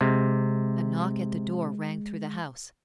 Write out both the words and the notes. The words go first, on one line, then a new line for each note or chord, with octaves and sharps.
A knock at the door rang through the house.
C3 G#3